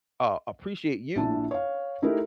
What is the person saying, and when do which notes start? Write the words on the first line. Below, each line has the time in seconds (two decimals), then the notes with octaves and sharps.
uh, appreciate you,
1.15 A#1 D4 E4 A5
1.51 C#5 F5
2.02 A3 D#4 E4 G4 A4 A#4